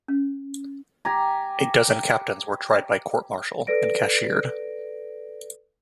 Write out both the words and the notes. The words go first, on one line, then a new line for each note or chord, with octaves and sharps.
A dozen captains were tried by court-martial and cashiered.
C#4
G4 G#5 A#5
A4 B4 D5 A#6 D7